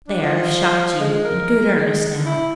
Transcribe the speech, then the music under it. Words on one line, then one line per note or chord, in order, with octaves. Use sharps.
There, I've shocked you in good earnest now.
D4
F3
G#3
A#4
G#3
E4